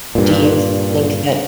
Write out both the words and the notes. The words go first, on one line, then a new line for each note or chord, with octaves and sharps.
do you think that
G2 A#2